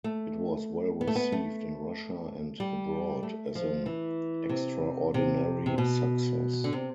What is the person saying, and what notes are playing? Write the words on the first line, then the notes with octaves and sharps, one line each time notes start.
It was well received in Russia and abroad as an "extraordinary success".
A3
B3
A3
B3
A3
G3
A3
F3
E3
C3
C3
C3
B2
D3
C3